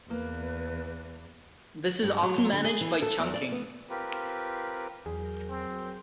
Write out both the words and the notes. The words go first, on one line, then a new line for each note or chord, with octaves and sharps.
This is often managed by chunking.
E2 A#3 B4
G2
F#3
F#3
D3
G#4
E3
A4
E2
D5
B3
C4 F4 G4 A#4 B4
E2 F#3 G#4 A#4 G6
C4